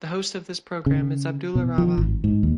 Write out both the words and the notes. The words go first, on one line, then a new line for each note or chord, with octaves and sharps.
The host of this program is Abdullah Rava.
C#3
B2
F3
G#1
G#2
D#2